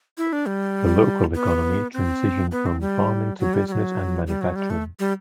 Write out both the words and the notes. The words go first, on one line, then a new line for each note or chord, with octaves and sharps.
The local economy transitioned from farming to business and manufacturing.
E4
D4
G3
B3
C4
B3
C4
G3
F#3
G3
G3
F#3
G3
F#3
G3
A3
G3